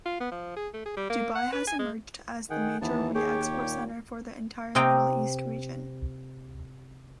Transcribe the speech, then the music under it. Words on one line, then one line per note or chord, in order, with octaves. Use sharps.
Dubai has emerged as the major re-export center for the entire Middle East region.
F4
B3
F3
G#4
A3
G#4
G3
A#3
F#5
B4
G#5
G#3
D#3 G#4 F#5 G5
D#2 E3 B3 A5
D#2 G4 G#4 C#5 G5
A#2
C3 C4 D#5 G5 A#5